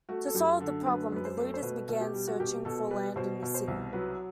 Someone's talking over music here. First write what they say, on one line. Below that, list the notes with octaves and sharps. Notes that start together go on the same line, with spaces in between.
To solve the problem, the leaders began searching for land in the city.
A3 F#4
A4
F#2 G4
D3 A4
F#2 B4
F#2 B4
C5
A3
C5
B2 B4
B2
G4
G3
F#4
B2 G4
B2 A4
G3 B4
B2 C5
B2
C5
C2
F#3 B4